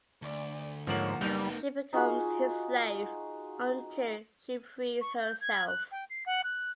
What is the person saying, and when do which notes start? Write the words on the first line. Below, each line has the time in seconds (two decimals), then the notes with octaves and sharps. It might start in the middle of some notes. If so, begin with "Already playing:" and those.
She becomes his slave until she frees herself.
0.22 D2 D5
0.87 G#2 F3 A#3 C#5 F#5 F#7
1.21 F#1 G3 A#3 B3 D#4 G6 F7
1.93 D#4 F4 F#4 G#4
5.01 C#6
5.19 G6
5.41 G#6
5.67 F#6
5.91 G5
6.10 C7
6.26 F#5
6.43 F#6